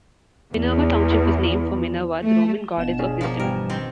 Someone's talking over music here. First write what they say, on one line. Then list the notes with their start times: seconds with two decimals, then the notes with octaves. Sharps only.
Minerva Township was named for Minerva, the Roman goddess of wisdom.
0.53 E2
2.21 A3
2.78 G1 B2 E7
2.99 C#4 D4 G#4
3.21 F3 A#3
3.40 G2 E3 G3 A#4
3.69 D#3 C4